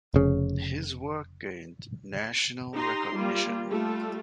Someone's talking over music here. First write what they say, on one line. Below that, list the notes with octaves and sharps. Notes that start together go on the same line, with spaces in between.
His work gained national recognition.
F1 C#3
D#4 G4 A#5 C6
G3 A#3 F4
G3 A3 F4 A4